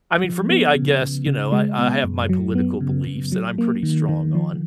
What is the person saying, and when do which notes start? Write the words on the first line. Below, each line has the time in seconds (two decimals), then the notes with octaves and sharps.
I mean, for me, I guess, you know, I I have my political beliefs that I'm pretty strong on.
0.24 F3
0.50 B3
0.75 C#3
1.02 C#3
1.27 C#3
1.52 G#3
1.78 B3
2.04 F#2
2.29 F#3
2.55 B3
2.81 C#3
3.07 C#3
3.32 F#3
3.58 A#3
3.83 D#3
4.09 D#3
4.35 F3